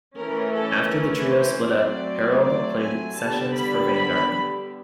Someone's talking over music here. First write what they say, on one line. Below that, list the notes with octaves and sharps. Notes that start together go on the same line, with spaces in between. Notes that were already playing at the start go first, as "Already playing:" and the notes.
After the trio split up, Herald played sessions for Vanguard.
E3 A3 C#4 A#4
A4
A#4
C5
F#3 A3 C4 D5
D5
G#5
D3 G3 B3 D4 A5
B5
B5